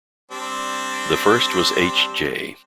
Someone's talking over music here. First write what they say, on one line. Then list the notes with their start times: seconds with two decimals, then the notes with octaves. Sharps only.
The first was H. J.
0.31 G3 C4 D4